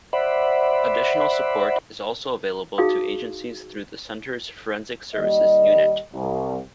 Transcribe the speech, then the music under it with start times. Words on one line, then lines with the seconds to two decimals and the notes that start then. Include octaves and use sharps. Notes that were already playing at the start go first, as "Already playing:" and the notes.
Additional support is also available to agencies through the Center's Forensic Services Unit.
0.13 C5 D5 E5 F#5 B5
2.78 D#4 F#4 G#4 F5 C6 D#6
5.16 D#2 G3 D#5
6.14 C2